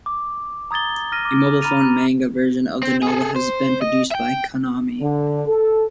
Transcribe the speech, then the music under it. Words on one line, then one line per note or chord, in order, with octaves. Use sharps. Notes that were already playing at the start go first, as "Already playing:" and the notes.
A mobile phone manga version of the novel has been produced by Konami.
D6
A#5 D#6 G#6 A6 G7
D#6 F6 A#6 D#7
D6
A#5 B5 F6 A6 D#7 F7
C4
G#4 A4
C5
D#5
E5 G5
D3
A4